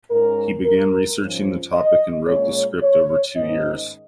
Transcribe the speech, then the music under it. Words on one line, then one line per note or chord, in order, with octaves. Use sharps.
He began researching the topic and wrote the script over two years.
G#2 G#3 C#4 A#4
A#4
G#2 F3 C#4
D#5
A#2 G#3 C#4 C#5
C#5
G#2 D#3 G#3 C#4 D#5